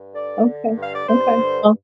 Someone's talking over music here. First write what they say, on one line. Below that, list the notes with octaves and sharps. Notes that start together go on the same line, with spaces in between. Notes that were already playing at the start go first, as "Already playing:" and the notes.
Okay, okay, well
Already playing: G2
D3 D5
D3
G2
F5
D5
G2 C5
D3